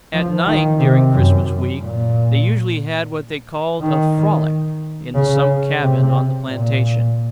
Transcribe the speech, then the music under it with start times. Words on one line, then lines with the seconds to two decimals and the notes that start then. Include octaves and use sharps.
At night, during Christmas week, they usually had what they called a "frolic," in some cabin on the plantation.
0.13 F3
0.47 D#3
0.79 C3
1.14 F#2
1.81 A#2
3.81 D#3
5.14 C#3
5.81 C3
6.47 A#2